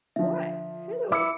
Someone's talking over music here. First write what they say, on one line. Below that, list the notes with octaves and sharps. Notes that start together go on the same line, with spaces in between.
"What? who?"
D3 F3 E5
E4 D6 C#7